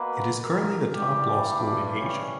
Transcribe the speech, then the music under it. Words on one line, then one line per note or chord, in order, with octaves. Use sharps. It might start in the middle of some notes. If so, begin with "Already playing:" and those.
It is currently the top law school in Asia.
Already playing: B2 A#3 B4
A#4
G2 E3 G3 G4
D4
C#4